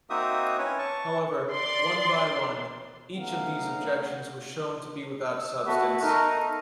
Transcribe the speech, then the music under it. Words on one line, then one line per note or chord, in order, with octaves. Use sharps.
However, one by one, each of these objections were shown to be without substance.
A#3 C4 D#4 F#4 E5 D#6
C#4 E4 B4 C#5
A5 C#6
D5 C6
A3 B3 C#4 D#4 F5 F#5
E6
B3 F#4 A4 E5
A3 D#4 A#4